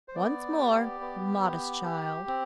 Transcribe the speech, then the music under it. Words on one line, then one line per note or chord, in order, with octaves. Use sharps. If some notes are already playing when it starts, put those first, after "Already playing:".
'Once more, modest child!'
C5
B3 D5
G4
B3
G4
G4
C4